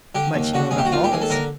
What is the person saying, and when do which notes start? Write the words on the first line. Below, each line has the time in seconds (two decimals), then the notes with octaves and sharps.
"Much you know about balls."
0.15 D3 G4
0.34 D#2
0.54 D3 F#4
0.71 D#2 G#4
0.78 G4
0.85 F#4
0.92 D#2 F4
1.04 G4
1.12 D#2 G#4
1.22 A4
1.30 D3 A#4